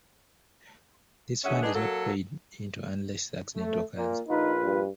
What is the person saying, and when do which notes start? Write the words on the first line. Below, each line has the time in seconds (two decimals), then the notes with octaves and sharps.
This fund is not paid into unless an accident occurs.
1.44 D2 C#4 G#4 E5 F#5
1.62 G#3 B3 D4 D#4 G#4
1.74 F#3 A#3 A4
3.56 A3
3.95 A#2
4.29 A#1 D#4 F4 B4
4.64 G2